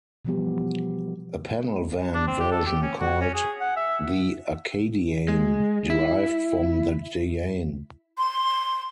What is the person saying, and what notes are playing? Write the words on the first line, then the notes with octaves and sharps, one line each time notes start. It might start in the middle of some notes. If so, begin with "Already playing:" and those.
A panel van version called the Acadiane derived from the Dyane.
B2 E3 F3 G3 B3 G4
D4
C4
G4
A4
G4
C#4
F#4
C#4
G#4
F#5
E5
G#3
E4
C6